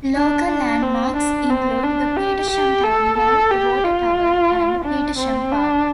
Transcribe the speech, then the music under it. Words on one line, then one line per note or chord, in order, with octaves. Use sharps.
Local landmarks include the Petersham Town Hall, the water tower and Petersham Park.
D4
D4
C4
D4
C4
D4
G4
G4
A4
A4
G4
F4
D4
C4
D4